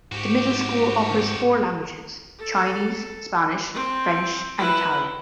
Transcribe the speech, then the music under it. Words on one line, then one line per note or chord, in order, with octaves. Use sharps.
The middle school offers four languages: Chinese, Spanish, French, and Italian.
G#2 F#4 G4
A4
C4
E4 B4